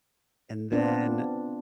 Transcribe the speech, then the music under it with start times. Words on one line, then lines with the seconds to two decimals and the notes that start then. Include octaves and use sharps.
And then,
0.72 B3 C4 D4 F4